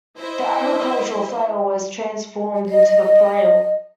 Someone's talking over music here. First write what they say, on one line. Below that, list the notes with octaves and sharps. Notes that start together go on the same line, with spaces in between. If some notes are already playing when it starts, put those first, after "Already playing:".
The agricultural flail was transformed into the flail.
E4 C5 D#5 E5
D#5